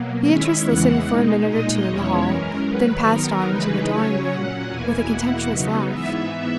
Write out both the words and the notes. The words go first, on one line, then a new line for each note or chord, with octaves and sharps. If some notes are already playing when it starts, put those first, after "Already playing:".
Beatrice listened for a minute or two in the hall, then passed on into the drawing-room with a contemptuous laugh.
Already playing: B2 F#3 A#3
D#3 G#3 C#4 E4 E5
E2 C#3 E3 G#3 F#5
B2 G#3 D#4
A#2 G#3 D#4 D#5
E2 B2 G#3 C#4 E4 C#5
F#2 E3 G#3 C#4 A#4
G#2 D#3 F#3 B4
D#3 F#3 B3 D#4 A#4
C#3 E3 G#3 D#4 B4
C#3 F#3 C#4 C#5
A#2 F#3 C#4 F#5
E2 B2 A#3 E4 G#5
E2 B2 A#3 E4 F#5
C#3 F#3 B3 D#4
G#2 E3 B3 E5